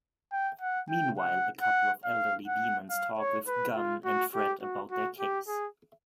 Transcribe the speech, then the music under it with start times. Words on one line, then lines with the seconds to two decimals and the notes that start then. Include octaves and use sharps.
Meanwhile, a couple of elderly demons talk with Gunn and Fred about their case.
0.32 G5
0.61 F#5
0.90 G5
1.19 F#5
1.62 F#5
2.04 F5
2.47 F#5
2.90 F5
3.19 C#5
3.47 B4
3.76 F4
4.05 F#4
4.34 G4
4.62 F#4
4.91 F#4
5.20 G4
5.48 G#4